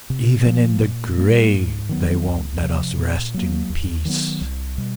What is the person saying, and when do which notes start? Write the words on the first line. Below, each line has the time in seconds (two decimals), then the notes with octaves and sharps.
"Even in the grave they won't let us rest in peace."
0.10 C3
0.46 F3 A#3
0.82 A#2
1.17 G3 A#3
1.54 G#2
1.89 D#3 F#3 B3
2.26 C#2
2.62 C3 F3
2.98 A#2
3.34 F#3 A#3
3.70 D#2
4.05 D#3 F#3 B3
4.41 C2
4.78 B2 G3